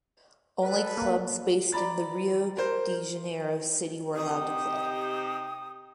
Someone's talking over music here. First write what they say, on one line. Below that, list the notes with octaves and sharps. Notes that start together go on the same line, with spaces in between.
Only clubs based in the Rio de Janeiro city were allowed to play.
A4 B4
A#3
D5 A#5 B5 A6
A#4 C5
C3 D#4 G4 D#6